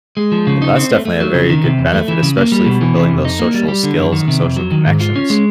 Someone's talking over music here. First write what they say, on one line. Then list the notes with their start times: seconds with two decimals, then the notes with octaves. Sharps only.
Well, that's definitely a very good benefit, especially for building those social skills and social connections,
0.17 G#3
0.32 F3
0.47 C#3
0.62 D#4
0.76 C4
0.91 A3
1.05 A3
1.20 F#3
1.34 C#3
1.50 D#3
1.64 C3
1.78 E2
1.93 A3
2.08 E3
2.23 C#3
2.37 A#3
2.52 G3
2.66 B2
2.81 E3
2.96 C3
3.10 F2
3.25 D#4
3.39 A#3
3.54 G3
3.68 G3
3.83 D3
3.98 F#2
4.12 D#3
4.28 C3
4.42 F2
4.57 F#3
4.71 D#3
4.86 G#2
5.01 F4
5.16 C#4
5.30 G#3